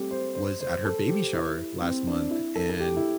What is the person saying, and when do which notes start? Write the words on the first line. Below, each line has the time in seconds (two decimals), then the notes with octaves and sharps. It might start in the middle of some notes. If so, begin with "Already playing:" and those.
was at her baby shower last month and
Already playing: G3 A3 C4 G4
0.11 C5
0.35 C5
0.60 C5
0.85 A4
1.08 G4
1.33 E4
1.82 C4
2.07 D4
2.31 E4
2.55 A4
2.69 A4
2.80 G4
2.96 E4